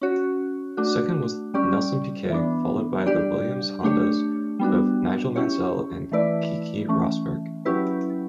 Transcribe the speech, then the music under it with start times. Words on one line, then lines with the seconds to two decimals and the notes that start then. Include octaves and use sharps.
Second was Nelson Piquet, followed by the Williams-Hondas of Nigel Mansell and Keke Rosberg.
0.01 C#4 F#4 C#5
0.77 A3 D4 F#4
1.54 G3 C#4 G4 D5
2.30 E3 B3 D4
3.06 G3 D4 G4 D5
3.83 A3 D4 G4 C#5
4.59 G3 B3 D4 F#4
5.36 C#4 E4 G4 C#5
6.12 E3 A3 E4 B4 D5
6.88 E3 A3 C#4
7.65 F#3 C#4 E4 G4 B4